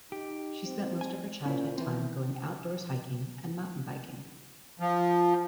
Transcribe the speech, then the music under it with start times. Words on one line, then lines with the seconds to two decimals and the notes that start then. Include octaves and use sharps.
She spent most of her childhood time going outdoors hiking and mountain biking.
0.12 D#4 G4
0.64 C4
1.01 G#5
1.46 A#2 C#4 E4 C5
1.78 D#3 E3 C4
4.80 F3